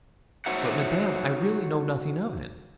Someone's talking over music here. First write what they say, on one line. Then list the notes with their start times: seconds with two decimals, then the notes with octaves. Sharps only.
'But, Madame, I really know nothing of it.
0.46 D#4 F#4 C5 C#5 E5 F#5